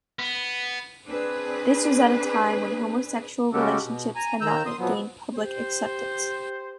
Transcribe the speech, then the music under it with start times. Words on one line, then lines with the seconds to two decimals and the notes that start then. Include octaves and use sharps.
This was at a time when homosexual relationships had not yet gained public acceptance.
0.19 B3
1.07 C4 D4 G#4 B4
3.53 C#3 G#3 C#4 F#4 G4 A4
3.84 B2
4.15 G#5 A#5
4.41 D#2 D#3 A#5 E6 G6
4.66 C6 D#6
4.79 B2 F3 F#3 B3
5.34 G4 C5